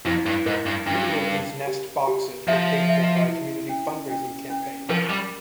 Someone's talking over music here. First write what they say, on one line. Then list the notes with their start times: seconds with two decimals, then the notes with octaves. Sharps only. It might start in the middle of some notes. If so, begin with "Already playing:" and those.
Many of these nest boxes were paid for by a community fundraising campaign.
0.05 F2 E4
0.26 G2
0.46 G#2 A#4
0.66 G2
0.87 G2 C#4
1.27 A#4
1.67 G4
2.07 G4
2.48 F3 E5
2.89 E5
3.28 E4
3.69 C#4
4.10 C#4
4.50 C#4
4.90 F3 A#4
5.10 G3